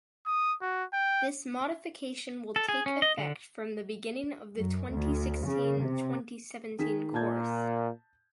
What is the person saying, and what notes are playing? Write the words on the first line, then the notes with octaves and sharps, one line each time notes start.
This modification will take effect from the beginning of the twenty sixteen-twenty seventeen course.
D#6
F#4
G5
A4
G#4
C#4
D#5
D3
F#2
D2
C#3
C3
D#3 G#4 B6
A#2 A5 G6 G#6